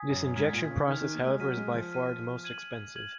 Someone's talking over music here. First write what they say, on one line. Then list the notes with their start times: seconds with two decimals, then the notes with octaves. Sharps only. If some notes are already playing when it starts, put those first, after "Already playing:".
This injection process however is by far the most expensive.
Already playing: G#5 D#6 G#6 B6
0.10 F#2
0.36 G#2 F6 G#6 B6
0.53 A#2
0.71 C#3
0.88 D#3 F6 G#6 B6
1.01 D#3
1.14 A#3
1.27 G#3
1.40 F#3 F6 B6 D#7
1.57 G#3
1.74 F3
1.92 F6 B6 D#7
2.44 F6 G#6 D#7 F#7
2.96 F6 G#6 D#7 F#7